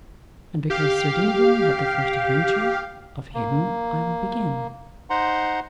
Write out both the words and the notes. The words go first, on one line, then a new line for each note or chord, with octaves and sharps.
And because Sir Dinadan had the first adventure of him I will begin.
G4 F5
A#3
D#4 C5 F#5 A#5 C6